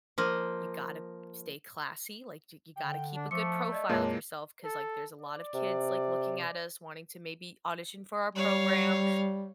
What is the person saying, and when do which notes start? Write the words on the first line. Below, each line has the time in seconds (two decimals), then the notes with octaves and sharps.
you gotta stay classy," like, "you you gotta keep a good profile of yourself 'cause," like, "there's a lot of kids," like, "looking at us wanting to maybe audition for our program,
0.18 F3 A#3 D#5
2.77 D3 G5
3.15 D4
3.31 F3 A3 D6 C#7
3.72 D5 D#5
3.89 F2 A#2 G#3 A#3 C#5 A5
4.64 A4
5.20 D5
5.54 C3
8.35 G3 C#5 F5